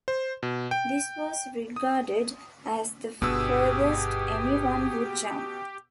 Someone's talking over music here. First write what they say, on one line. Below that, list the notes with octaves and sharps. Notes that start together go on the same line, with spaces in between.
This was regarded as the furthest anyone would jump.
C5
B2
G5
D#6
G1 B2 G4 G#4 B4 E6